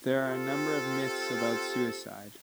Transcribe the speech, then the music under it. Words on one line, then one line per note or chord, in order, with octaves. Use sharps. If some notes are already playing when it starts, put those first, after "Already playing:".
There are a number of myths about suicide.
C4 F4 G4 A4